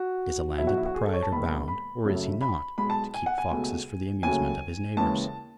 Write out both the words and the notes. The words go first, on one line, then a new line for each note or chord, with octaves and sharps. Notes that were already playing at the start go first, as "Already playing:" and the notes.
Is a landed proprietor bound, or is he not, to keep foxes for the amusement of his neighbours?
Already playing: F#4
B1 B2 F#3 E4
F#4
E4
F#4
G#4
A4
C#5
A5
E1 D#2 D#3 B5
B5
F#2 C#3 F#3 A3
B5
B1 B2 G#3 B5
A5
G#5
F#5
G#5
C#2 B2 A3
D#2 C#3 F#3 A3 G#5
D#2 C#3 E3 G#3 A5